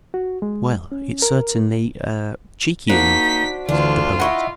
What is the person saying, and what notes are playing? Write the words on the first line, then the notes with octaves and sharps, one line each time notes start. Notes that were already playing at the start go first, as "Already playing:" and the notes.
"Well, it's certainly--er--cheeky enough," said the Poet.
F#4
G#3
C#4
A#4
A#3 D4 D#4 F#4 C5 B6
D2 D3 E3 D4 F4
D#4 E4 D#5 F#5 B5 C#6